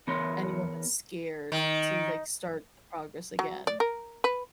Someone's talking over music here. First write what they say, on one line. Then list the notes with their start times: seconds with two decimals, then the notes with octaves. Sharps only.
anyone that's scared to like start the progress again.
0.07 E3 B3 A#4 C#5 C6
1.52 D#3
3.39 F#3
3.67 D5
3.80 A#4
4.24 B4